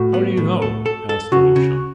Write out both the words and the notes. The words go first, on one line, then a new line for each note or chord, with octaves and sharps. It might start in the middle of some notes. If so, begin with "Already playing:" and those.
"How do you know?" asked Alyosha.
Already playing: A2 F#4
B3
A2
A4
A4
A4
C#3 F#4
C#3